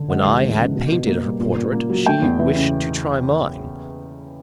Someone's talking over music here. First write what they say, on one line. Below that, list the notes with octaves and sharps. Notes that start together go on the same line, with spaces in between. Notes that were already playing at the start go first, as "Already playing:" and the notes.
When I had painted her portrait, she wished to try mine.
Already playing: D3
G#3 F#5
D#2
E3
C#3
B2
B2
A#3
G3
A#2
A#2
A#3
F#3
A3 G5
E2
E3
C#3